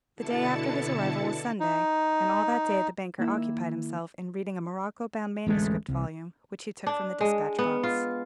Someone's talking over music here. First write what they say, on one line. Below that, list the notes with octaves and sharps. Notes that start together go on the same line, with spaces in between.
The day after his arrival was Sunday, and all that day the banker occupied himself in reading a morocco-bound manuscript volume, which he took from the despatch-box.
B2 D3 E4 A5 A6 C#7
D#4
D#3 A#3 E4
D1 A1 G#3 A3
C2
D4
G#3
B3
F4